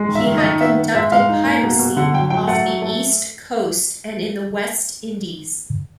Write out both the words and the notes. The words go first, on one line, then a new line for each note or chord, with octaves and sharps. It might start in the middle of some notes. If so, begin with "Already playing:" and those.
He had conducted piracy off the East Coast and in the West Indies.
Already playing: G#3
D#3
E5
D#3
D#5
D#3
B3 E5
B3
G#3 E5
G#3 F5
D#4
A#3
B2
B2
D3 F#5
F#3 G5
F#3 G5
A3 F#5
F#3
A3